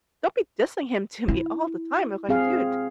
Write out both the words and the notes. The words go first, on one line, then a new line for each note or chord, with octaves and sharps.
don't be dissing him to me all the time. I'm going, “Dude"
E4
C4 G#4 F5